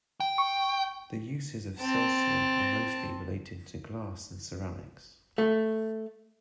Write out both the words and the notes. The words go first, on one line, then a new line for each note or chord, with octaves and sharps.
The uses of celsian are mostly related to glass and ceramics.
G5
C#6
C4 A5
A3